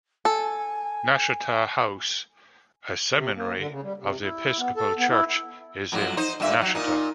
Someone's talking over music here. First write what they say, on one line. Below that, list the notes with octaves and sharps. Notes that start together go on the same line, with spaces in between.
Nashotah House, a seminary of The Episcopal Church, is in Nashotah.
A4 G#5
C3
A#3
D3
C#3
G3
C3
E4
B3
A4
B3
E4
F2 A2 F#3
D#4 C5
G2 A#2 E5
F#3
A#2 D#4